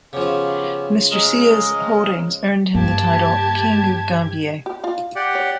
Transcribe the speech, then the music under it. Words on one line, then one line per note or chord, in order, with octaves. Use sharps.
Mr Seah's holdings earned him the title: 'King of Gambier'.
C#3 F3 B3 C#4 G4
G#3 G#4 A#4 D#5
G2 C#3 A#3 G4 A5 G#6
G4
F4 F5
G4 D5 F#5
C#5